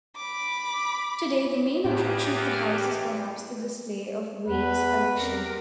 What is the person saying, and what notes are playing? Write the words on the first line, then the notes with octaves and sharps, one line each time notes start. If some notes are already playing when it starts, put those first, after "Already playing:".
Today, the main attraction of the house is perhaps the display of Wade's collection.
B5 D6
E2 A2 G4
E2 B4
C4 G4 A#4